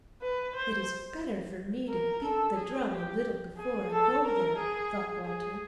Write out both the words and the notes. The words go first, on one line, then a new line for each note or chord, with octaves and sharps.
'It is better for me to beat the drum a little before I go there,' thought Walter.
B4
C5
A#4
A4
G#4
G4
G#4
A4
A#4
G#4
G#4